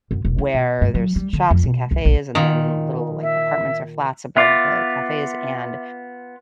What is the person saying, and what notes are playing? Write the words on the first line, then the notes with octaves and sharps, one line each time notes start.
where there's shops and cafes, and then little, like, apartments or flats above the cafes. And
F#2
E1
E4
B2
G2
F#3
G3
D3
F2
B2
C#2
A#1
A#2 D#3
E5
B3 F4 E5 D6 A6